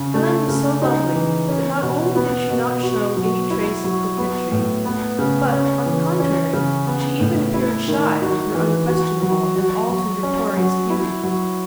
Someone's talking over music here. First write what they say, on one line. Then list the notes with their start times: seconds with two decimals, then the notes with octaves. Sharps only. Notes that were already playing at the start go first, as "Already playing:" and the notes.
Helene was so lovely that not only did she not show any trace of coquetry, but on the contrary she even appeared shy of her unquestionable and all too victorious beauty.
Already playing: C#3
0.14 A3
0.48 C#3
0.82 D#4
1.15 E3
1.48 C#4
1.82 B2
2.16 B3
2.50 B2
2.83 F#4
3.17 F#3
3.50 E4
3.84 F#3
4.18 B3
4.52 A2
4.85 B3
5.19 C#3
5.52 C#4
5.86 E3
6.20 C#4
6.53 C#3
6.87 B3
7.20 A2
7.54 E4
7.88 D#3
8.21 F#4
8.55 E3
8.88 F#4
9.22 F#3
9.56 F#4
9.89 F#3
10.23 C#4
10.57 F#3
10.90 E4
11.24 F#3